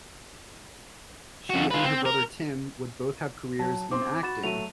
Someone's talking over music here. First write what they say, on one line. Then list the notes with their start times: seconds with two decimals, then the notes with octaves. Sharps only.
She and her brother Tim would both have careers in acting.
1.50 F2 F#4
1.71 F4 B4
1.84 C4
2.05 A#4
3.59 F#3 A5
3.91 C4 C6 D6
4.23 F#4 B5 A6 E7
4.43 F#3 A3 D#7 F7